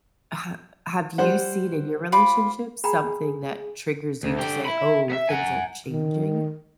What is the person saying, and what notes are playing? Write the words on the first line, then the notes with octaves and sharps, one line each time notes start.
ha have you seen in your relationship, something that triggers you to say, "Oh, things are changing?"
G3 C5 F#5
F4 B5 D6
G#4 G5 A#5 B5
D2
D3 G4
E5 B5
B3 E5
F#5 G#5
D#3